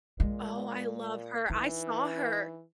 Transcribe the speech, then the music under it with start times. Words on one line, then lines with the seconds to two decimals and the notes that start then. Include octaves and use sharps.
Oh, I love her, I saw her,
0.20 A#2 G#3
1.50 E3 D#4